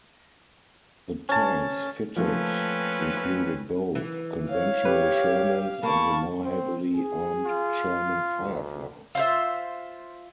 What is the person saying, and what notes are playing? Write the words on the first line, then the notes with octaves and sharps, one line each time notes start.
The tanks fitted included both conventional Shermans and the more heavily armed Sherman Fireflies.
C#4 A5
F3 A3 A#3 C4 C#4 B4
E3
C#5 F5
G4 B4
A#3 A5 B5 C#6
C4
G#4
F4
D2
F4 C5 E5